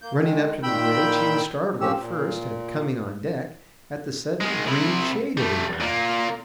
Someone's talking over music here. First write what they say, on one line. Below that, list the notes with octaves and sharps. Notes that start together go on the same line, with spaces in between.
Running up to the bridge he was startled at first, at coming on deck, at the sudden green shade everywhere.
A#3 G6
D#3 G#3
A#2 D#3 G5 B5 E6 G6
A#2 F3 C4 C#4 G4 E6
A#2
D#3 G#3
C3 E4
G3 A3
A#2 A#3